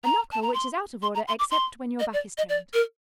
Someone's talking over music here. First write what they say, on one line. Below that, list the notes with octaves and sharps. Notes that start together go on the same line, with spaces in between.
A knocker which is out of order except when your back is turned.
A#5
A5
A#5
C6
C6
A#5
C6
D6
C6
D#5
D5
D#5
D5
A#4